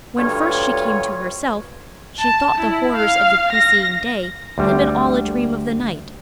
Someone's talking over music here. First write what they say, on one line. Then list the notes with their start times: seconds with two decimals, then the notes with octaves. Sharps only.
When first she came to herself, she thought the horrors of the preceding day had been all a dream of the night.
0.18 D2 G2 G3 F4 C#5
2.19 A5
2.58 E4
2.96 F5
3.53 A#6
4.58 D2 G3